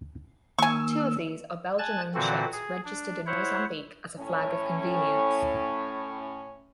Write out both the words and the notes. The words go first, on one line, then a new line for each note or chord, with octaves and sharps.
Two of these are Belgian-owned ships registered in Mozambique as a flag of convenience.
D#3 A#3 G#5 C#6 E6
G#5 A5 F#6 A6
A#2 D3 E3 C4 F#4 A4
G#4
D4
E4 C5 C#5 F#5
A2 C#4